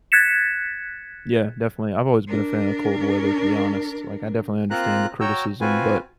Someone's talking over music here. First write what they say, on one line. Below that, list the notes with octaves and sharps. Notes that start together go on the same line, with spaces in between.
Yeah, definitely. I've always been a fan of cold weather to be honest, like, I definitely understand the criticism, but
F#6 G#6 A6 B6 C#7 E7
D4 A#4
A#3 C4 F4 A#5 F#6
F#4 C#5 G5 A#5 E6
C4 F4 F#4 B4 G#5